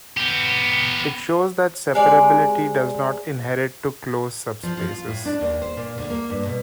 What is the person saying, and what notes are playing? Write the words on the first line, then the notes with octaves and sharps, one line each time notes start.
It shows that separability does not inherit to closed subspaces.
B3 G4
C3 G#3 D5
F3
F3
F4
A2
D4
D#2
C5
A#2
D2
A#3
G2
B2